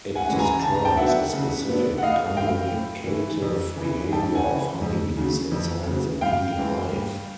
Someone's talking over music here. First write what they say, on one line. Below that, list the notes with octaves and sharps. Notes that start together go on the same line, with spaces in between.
It describes a specific communicative behavior of honey bees inside the bee hive.
F#5 G#5
E3 G#3 C#4
G#5 A#5
C#3 A5
A#5
G5 A5
F#3 B3 D4 E5 F#5
C#3
F#3 B3 D4
F#5
A2 D#5 F5
E3 A3 F5 G5
A2
E3 A3
F2
C#3 E3
F2 G5 A5
F#5 G#5
C#3 E3
F2
C#3 F#3
F2
C#3 F#3
G2 F5 G5
E3 G#3
G2